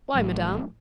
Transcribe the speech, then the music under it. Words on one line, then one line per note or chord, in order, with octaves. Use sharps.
"Why, madame?"
A1 A2 F#3